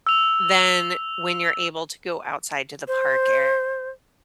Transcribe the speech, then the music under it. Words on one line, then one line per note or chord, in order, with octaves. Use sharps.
than when you're able to go outside to the park ar
E6 F7
C5